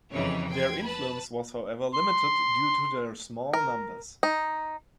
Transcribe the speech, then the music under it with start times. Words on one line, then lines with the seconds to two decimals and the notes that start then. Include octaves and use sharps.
Their influence was however limited due to their small numbers.
0.13 F2 C#3 E3 D#4 G4 C#5
0.47 G5 C6 G#6
0.83 B4 A5 B5
1.95 C6
3.53 A#4
4.23 D#4